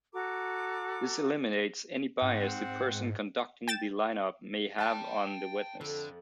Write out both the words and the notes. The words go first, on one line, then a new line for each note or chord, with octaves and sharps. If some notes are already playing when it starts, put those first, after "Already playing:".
This eliminates any bias the person conducting the lineup may have on the witness.
F#4 A4 A#5 D6
G#2 C4 F#5
G5 A6 E7
G5 A5 B5 A6
F2 D3 F3